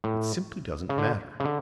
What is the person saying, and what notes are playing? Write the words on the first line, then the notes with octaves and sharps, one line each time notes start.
It simply doesn't matter.
A2
C#3
D3
C#3
D3